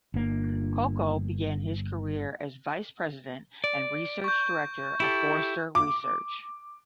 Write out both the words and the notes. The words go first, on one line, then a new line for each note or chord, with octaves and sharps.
Kolko began his career as vice president and research director of Forrester Research.
G1 A#3
D5
C#6 G6
E4 G4 A4
D6